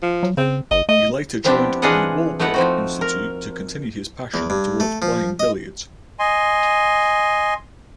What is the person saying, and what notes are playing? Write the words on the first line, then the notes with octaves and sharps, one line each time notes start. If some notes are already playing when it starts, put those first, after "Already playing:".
He later joined the Walbrook Institute to continue his passion towards playing billiards.
F3
F#3
C#3 C4
F#1 D#5
A3 D#5
F3 B3 C4 D4 E4 G4
E3 D4 F4 G#4 D#5 F#5
A3 B3 D#4 E4 F#5
F3 C4 F#4
A#4
E2
G2
A3
F3
D#5
D#5 G#5 C6